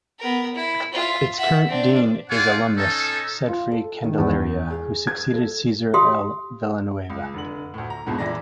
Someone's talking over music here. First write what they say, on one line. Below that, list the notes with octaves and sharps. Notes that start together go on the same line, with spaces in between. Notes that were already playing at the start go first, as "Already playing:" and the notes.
Its current Dean is alumnus Sedfrey Candelaria who succeeded Cesar L. Villanueva.
B3 A#4
E4
F4 E5
E5 F#5
C4 D4
C4 F4 D5 F#5 G#5
C#4 D#4 A4
F4
A4
D#3
E2
G#4
G#6
A4
G4 F5 C6 D#6
C#2
F1 D3 F#7
D2 A2
A#5
C2 F2 G#2 B2 D3
A#1 E3 D5 A#5 A#6